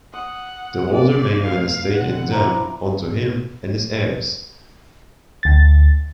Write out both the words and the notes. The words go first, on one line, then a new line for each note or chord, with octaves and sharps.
The holder may have an estate in them, unto him and his heirs.
F#5 D#6
C2 F3 D5
E2 B2 A3 F5
B2 D3 G3 F#5
F3 D4 E4 A#5
D2 A6